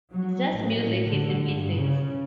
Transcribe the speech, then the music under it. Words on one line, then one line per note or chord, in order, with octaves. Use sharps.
"It's just music," he simply states.
F#3
A1
D3
G2
C#3